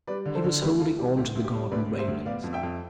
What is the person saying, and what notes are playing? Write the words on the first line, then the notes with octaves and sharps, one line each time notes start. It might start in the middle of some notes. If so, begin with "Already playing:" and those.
He was holding on to the garden railings.
G3 B4 D5
D3
A4 C5
D3
D2 G4 B4
D2 F4 A4
G3 G4
D2 G4
D2
G4
G3
D2 B4 D5
C3
C5 E5
D2
B3 D5 F5
F2
E5 G5
F2